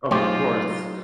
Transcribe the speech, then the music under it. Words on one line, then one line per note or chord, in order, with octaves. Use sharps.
Of course.
F#3 G#3 A3 D#4 F4 G4 C5 C#5